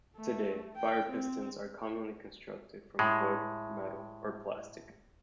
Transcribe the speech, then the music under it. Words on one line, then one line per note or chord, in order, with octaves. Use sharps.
Today, fire pistons are commonly constructed from wood, metal, or plastic.
A3
G5
C4
A2 G#3